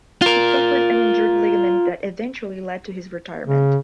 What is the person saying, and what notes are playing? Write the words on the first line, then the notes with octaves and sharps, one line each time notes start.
He suffered an injured ligament that eventually led to his retirement.
F4 A#4
C#3